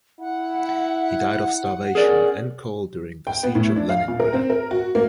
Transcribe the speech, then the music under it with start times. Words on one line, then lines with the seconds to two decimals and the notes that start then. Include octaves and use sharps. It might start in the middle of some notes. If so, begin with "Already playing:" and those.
He died of starvation and cold during the Siege of Leningrad.
0.20 E4 F#5
1.95 C#4 G#4 A#4 D5
3.27 G5
3.43 B3
3.55 A2
3.76 D4
3.89 F5
4.08 A#2
4.20 A#4
4.33 C4
4.50 A#4
4.71 F#4
4.95 A#3